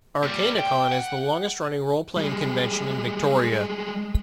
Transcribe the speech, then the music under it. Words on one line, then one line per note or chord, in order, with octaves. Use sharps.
Arcanacon is the longest running role-playing convention in Victoria.
A#2 G3
G5
F#5
G3 G#3